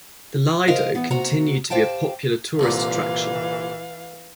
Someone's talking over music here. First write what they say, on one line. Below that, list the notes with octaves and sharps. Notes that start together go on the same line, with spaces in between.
The lido continued to be a popular tourist attraction.
A#4 C5 D#5 F5
E3 B3
C3 A#3 F#4 A#5
G4 C5 F5 G5 A5
C2 A#2 D3 E3 F5